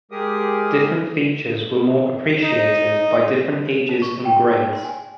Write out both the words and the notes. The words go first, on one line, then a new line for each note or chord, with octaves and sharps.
Different features were more appreciated by different ages and grades.
G#3 G4 G#4 A#4 D#6
D#4
A5
C#6
G5
A5
C6
G#5